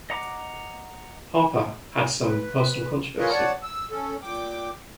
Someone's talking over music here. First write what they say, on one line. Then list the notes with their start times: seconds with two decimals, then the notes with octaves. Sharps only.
Harper had some personal controversy.
0.10 D#5 F#5 A#5 D6
2.23 B4
3.18 F4 G#4 A#4 B4 C#5 D#5
3.30 C#5 D5 F#5 A5
3.63 E6
3.90 C#4 A4
4.22 A#2 G5 D6